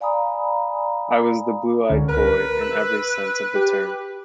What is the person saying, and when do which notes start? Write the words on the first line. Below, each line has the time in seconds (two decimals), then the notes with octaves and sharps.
I was the blue-eyed boy in every sense of the term.
0.01 D5 F5 G#5 A#5 B5 D#6
1.89 C#2 D3 C#4
2.09 A#4 B4
2.61 E6 F#6
3.55 G4